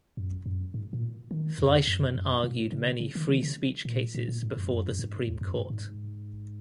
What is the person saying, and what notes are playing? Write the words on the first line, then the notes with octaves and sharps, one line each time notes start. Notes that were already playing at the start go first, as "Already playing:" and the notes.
Fleishman argued many free speech cases before the Supreme Court.
F#2
F#2
G#2
A#2
D#3
E2
F#2
E2
F#2
F#2
B2
C#3
C#3
D#3
D#3
C#3
A#2
A#2
A#2
G#2
F#2
F#2
F#2
G#2
E2
F#2
G#2
G#2